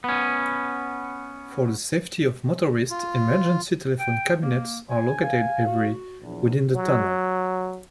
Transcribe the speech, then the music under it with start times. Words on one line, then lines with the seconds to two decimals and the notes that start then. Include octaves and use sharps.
For the safety of motorists, emergency telephone cabinets are located every within the tunnel.
0.04 B3 C#4
2.90 F4
3.99 G5
4.41 A#3
4.90 G#5
5.22 F5
5.66 F#4
6.22 A#1 E2
6.74 F#3